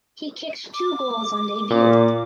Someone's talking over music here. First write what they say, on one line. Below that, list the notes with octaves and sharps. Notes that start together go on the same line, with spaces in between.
He kicked two goals on debut.
D6
A#2